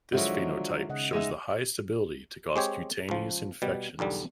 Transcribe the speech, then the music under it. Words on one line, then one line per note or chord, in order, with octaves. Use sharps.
This phenotype shows the highest ability to cause cutaneous infections.
D3 F3 F#3 G#3 D#5 E5
D#3
C#3 D#5 F#5
G#3 D#4 E5
G#3 C4 G4 C#5
C#2 F3
B2 G3
B1 E2 D3 G3